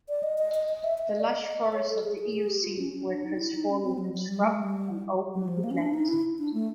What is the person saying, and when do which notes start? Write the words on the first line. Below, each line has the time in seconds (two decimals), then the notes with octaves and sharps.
The lush forests of the Eocene were transforming to scrub and open woodland.
0.09 D5
0.23 D#5
0.38 D#5
0.54 D#5
0.69 D#5
0.84 E5
0.98 E5
1.09 D#5
1.20 D5
1.30 D#5
1.73 C#5
1.89 A4
2.04 G#4
2.18 G#4
2.33 G#4
2.48 G4
2.63 F4
2.79 C#4
2.93 C#4
3.09 D4
3.24 D#4
3.38 E4
3.54 D#4
3.69 C#4
3.83 C4
3.98 F#3
4.13 F#3
4.28 G3
4.43 A3
4.54 G#3
4.63 G3
5.34 F#3
5.48 F3
5.64 A#3
5.71 C#4
5.78 D4
5.94 D#4
6.08 E4
6.39 D4
6.54 A3